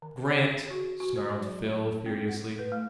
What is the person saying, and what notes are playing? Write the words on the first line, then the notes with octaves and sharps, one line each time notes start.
"Grant!" snarled Phil furiously.
D#3
C#5
G#4
F#4
F#4
C5
F#3
C4
F#5
B4
A3